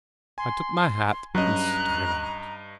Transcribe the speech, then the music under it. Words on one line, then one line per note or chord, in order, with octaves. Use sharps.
I took my hat and staggered out.
G#5 C6
G2 F#3 C#4 D#5 A#5 F#6